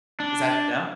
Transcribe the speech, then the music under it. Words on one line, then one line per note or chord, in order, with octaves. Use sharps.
is that them?
D4